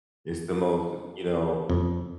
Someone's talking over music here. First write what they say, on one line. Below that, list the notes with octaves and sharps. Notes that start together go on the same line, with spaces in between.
It's the most, you know,
F2